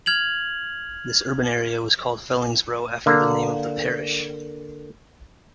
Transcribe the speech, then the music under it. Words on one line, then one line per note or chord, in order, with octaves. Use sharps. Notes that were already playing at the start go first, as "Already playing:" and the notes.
This urban area was called Fellingsbro after the name of the parish.
F6 G#6 F7 F#7
D3 A#3